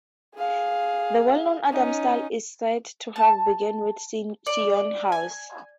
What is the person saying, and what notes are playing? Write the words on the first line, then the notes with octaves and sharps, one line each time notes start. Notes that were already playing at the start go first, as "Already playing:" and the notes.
The well known "Adam style" is said to have begun with Syon House.
G#4 F5
C#4 D#4
A5
D5
G#5